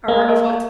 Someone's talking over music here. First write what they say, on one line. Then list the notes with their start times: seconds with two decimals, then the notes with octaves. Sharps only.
or of what's
0.08 A#3